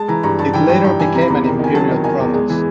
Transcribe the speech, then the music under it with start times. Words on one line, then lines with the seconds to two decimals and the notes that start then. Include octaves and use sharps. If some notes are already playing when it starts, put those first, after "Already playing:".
It later became an Imperial province.
Already playing: G#3 A5
0.08 E3 A#5
0.23 G2 A#5
0.39 G2 A5
0.53 E3 G5
0.68 G2 G5
0.84 G2 G5
0.99 E3 G#5
1.14 C3 A#5
1.21 B5
1.28 E2 A#5
1.44 D#3 A#5
1.59 D#3 G#5
1.74 F#3 A5
1.89 D#3
2.04 D#3 G#5
2.19 E2
2.34 G#3
2.49 E3